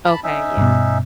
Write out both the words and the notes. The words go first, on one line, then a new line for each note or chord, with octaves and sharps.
Okay. Yeah.
A5 B5
C#4 D#4 E5
G2 B2